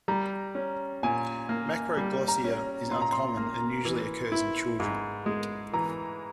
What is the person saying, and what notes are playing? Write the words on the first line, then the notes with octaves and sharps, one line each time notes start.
Macroglossia is uncommon, and usually occurs in children.
G3 A#5
C#4
A#2 G#5
A#3
G3
A#5
C#4
A#2 C6
A#5
C6
A#3
E3
E4
G#2
G#3
E3 A#5